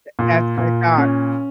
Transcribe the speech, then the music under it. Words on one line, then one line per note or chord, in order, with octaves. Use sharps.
Th that's what I thought.
A#2
A#2
C#4